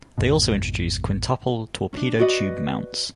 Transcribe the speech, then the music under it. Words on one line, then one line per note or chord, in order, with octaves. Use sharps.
They also introduced quintuple torpedo tube mounts.
A1 F2 G#2 B2
C#4 D4
F#4 B4 D5 D#5